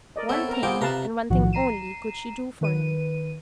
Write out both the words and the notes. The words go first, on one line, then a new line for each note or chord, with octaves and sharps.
One thing and one thing only could she do for him.
A#4 D5 D#5
B3 C4 A4 C#5 E5
A#4 A#5
B3 C4 F4 G#4 G5 D6
C3 B4 F5 A5 A#5
B1 A2 D#3 F3 F#4 F#5
A#5 C7 D#7 E7
D#3 B4 D#7